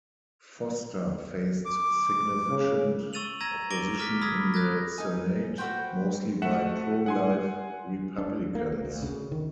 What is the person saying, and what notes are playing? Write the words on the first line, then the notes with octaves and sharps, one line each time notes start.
Foster faced significant opposition in the Senate, mostly by pro-life Republicans.
D6
C#3
C#6 E6 A6 D#7 F7 F#7
A#5 E6 G#6 A#6 D#7
D6 A6 A#6 D7 G7
D6 F6 B6
B5 D#6 E6 G#6 A#6 B6
D#6 F#6 G#6 A#6
D#4 G#5
F#4 B4 C5 G5
A3 F#4 E5 F#5 E7
F#5 G#5 C6
D4
A#3
D2
D2
C#3
D#3